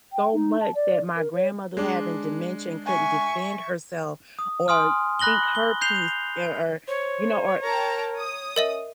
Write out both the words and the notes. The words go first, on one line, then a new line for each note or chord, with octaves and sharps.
so much that my grandmother having dementia and couldn't defend herself or speak her piece or or, you know, or
G5
D#4
A5
D5
A#4
C#5
G#3 D4
E5 G#5 C#6
D#6
G#5 C6 D#6 F6
B5 F#6 A#6 F#7 G7
G7
G6 C7 F7 G7
C5 C#5
A#4 G5 A5 A#5
D#6
C#4 A#4 D#5 E5